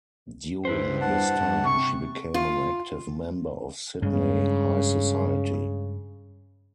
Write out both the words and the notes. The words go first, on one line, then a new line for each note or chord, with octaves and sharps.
During this time, she became an active member of Sydney high society.
G2 E4 B4 C5
F#5 A5
C3 C#6
F4
G2 C#3 G#3